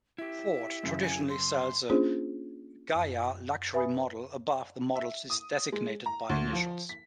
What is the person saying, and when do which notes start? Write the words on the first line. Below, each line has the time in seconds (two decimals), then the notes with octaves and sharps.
Ford traditionally sells a "Ghia" luxury model above the models designated by initials.
0.18 E4 G4 E5
0.83 F#2 C#3
1.02 G#5
1.30 C6
1.90 A#3 C#4 D4 F4 G#4 C5
2.95 F#2
3.74 B4 E5 G#5 B5 D#6
4.96 E5
5.30 D#6
5.72 G#3
6.06 A#5
6.29 D2
6.53 F3
6.89 B6